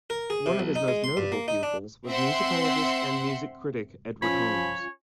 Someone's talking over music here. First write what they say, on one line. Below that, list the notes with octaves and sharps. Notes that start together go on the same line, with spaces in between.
One of his most notable pupils was musicologist and music critic Edward Holmes.
A#4
G#4
C3
B1
D#4
G#3
C6
G2
A#3
D#4
D4
C4 E5 F#5 C6
F3 C#4 F4 C#5 G#5 B5